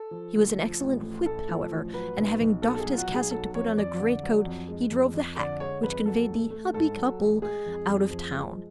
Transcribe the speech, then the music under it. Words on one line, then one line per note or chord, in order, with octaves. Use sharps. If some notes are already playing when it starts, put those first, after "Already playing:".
He was an excellent "whip," however; and having doffed his cassock to put on a great-coat, he drove the hack which conveyed the "happy couple" out of town.
Already playing: A4
F3
D2
F3
A1
A3
A2 A4
F3
A1
F#3 B4
B1
B1
B2 A4
A4
G#4
F#3
F4
F#4
B1
G#4
F#3 A4
F2 C#5
F2 D5
D3
F#3
F2
G#3
F2
F2
D3 D5
G#3 C#5
F2 B4
F#3 A4
A1
A3
G#2 A4
F#3
A1
G#3 G#4
F2
F2
F3
G#3